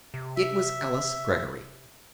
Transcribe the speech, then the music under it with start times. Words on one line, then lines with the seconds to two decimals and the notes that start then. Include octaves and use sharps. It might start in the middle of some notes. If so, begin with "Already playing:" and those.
It was Alice Greggory.
0.14 C3
0.36 E5